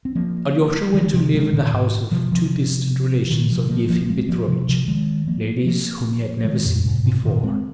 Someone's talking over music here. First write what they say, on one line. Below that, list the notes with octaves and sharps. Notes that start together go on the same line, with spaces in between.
Alyosha went to live in the house of two distant relations of Yefim Petrovitch, ladies whom he had never seen before.
C4
F3 A#3
D#3 G#3
C3 F3
D#3 G#3
A#2 D#3
G#2
C3 F3
C3 F3
A#2 D#3
C3 F3
F3 A#3
F3 A#3
G#3 C4
F3 A#3
C3 F3
C3 F3
D#3 G#3
F3 A#3
F3 A#3
D#3 G#3
F2 A#2
G#2 C3
G#2 C3
A#2 D#3
G#3 C4